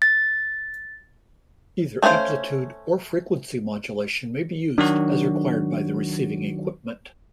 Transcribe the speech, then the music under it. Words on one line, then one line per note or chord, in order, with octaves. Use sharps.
Either amplitude or frequency modulation may be used, as required by the receiving equipment.
A6
A3 C#4 F#4 C5 F5
D#3 F#3 D4 F#4